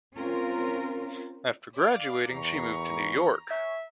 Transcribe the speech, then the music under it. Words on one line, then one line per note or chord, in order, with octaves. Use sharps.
After graduating, she moved to New York.
C4 C#4 F4 A#4
D5 F5
E2 A#4 A#5 B5 C#6
C#5 E5 G#5 C#6